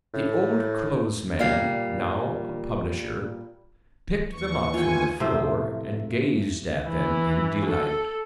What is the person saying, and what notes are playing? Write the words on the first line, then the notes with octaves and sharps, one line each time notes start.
The old-clothes man, now a publisher, picked them up from the floor and gazed at them in delight.
A2
A#2 G3 F5
D#2 E3 C#6
F4 G5 G#5
A2 C3 F3 C5
E3
A4